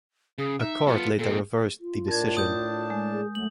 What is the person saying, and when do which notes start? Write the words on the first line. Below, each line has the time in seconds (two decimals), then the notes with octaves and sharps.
A court later reversed the decision.
0.38 C#3 G#4
0.60 D#4 E5
0.87 B3 F4 A4
1.19 A#2 C4 A4
1.81 F4
2.08 A2 D4 A#4 A5 G#6
2.37 D#6 G6
2.90 G#3
3.12 G#4
3.35 D2 F#3 A3 F#7